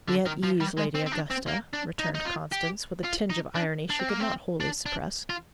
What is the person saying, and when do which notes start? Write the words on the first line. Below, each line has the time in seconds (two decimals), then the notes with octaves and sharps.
"Be at ease, Lady Augusta," returned Constance, with a tinge of irony she could not wholly suppress.
0.08 D3
0.26 D#3
0.43 F3
0.60 G3
0.78 G#3
0.95 C4
1.06 C4
1.12 D4
1.30 C4
1.47 A#3
1.73 D4
1.99 D#4
2.15 D#4
2.25 F4
2.52 G4
3.04 F4
3.30 D#4
3.55 D4
3.90 D4
4.00 C4
4.09 A#3
4.20 C4
4.60 D4
4.86 D4
5.30 F4